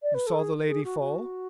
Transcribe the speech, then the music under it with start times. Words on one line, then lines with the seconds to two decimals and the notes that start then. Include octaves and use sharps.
"You saw the lady fall?"
0.03 D5
0.14 B4
0.27 A4
0.38 G#4
0.68 G#4
0.84 F#4
1.00 F#4